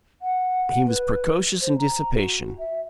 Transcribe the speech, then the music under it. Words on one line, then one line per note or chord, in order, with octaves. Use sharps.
He was precocious in dissipation.
F#5
B4
C5
A#5
F#4
E5